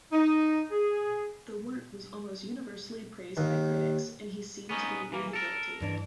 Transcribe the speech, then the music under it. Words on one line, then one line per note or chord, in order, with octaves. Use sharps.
The work was almost universally praised by critics, and he seemed to be rehabilitated.
D#4
G#4
D#2
B3 C#4 D#4
E3 A#3
A4 A#4
G2 E3 D4